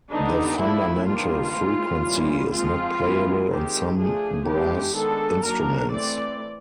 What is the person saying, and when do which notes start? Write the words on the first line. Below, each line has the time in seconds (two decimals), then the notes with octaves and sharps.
The fundamental frequency is not playable on some brass instruments.
0.11 D3 G3 B3 D4 D#4
0.59 F3 A3 D4 E4
1.08 D#3 G3 A#3 D4 F4
1.56 E3 G#3 C4
2.05 E3 G3 A#3 C#4
2.53 F3 G#3 C4 F4
3.01 E3 G#3 B3
3.49 D#3 G#3 C4 G4
3.98 F3 A3 D4 G#4
4.46 E3 G#3 B3 D4 G4
4.95 D#3 G#3 B3 D4 A4
5.43 F#3 A#3 D4 A#4
5.91 E3 A3 C4 D5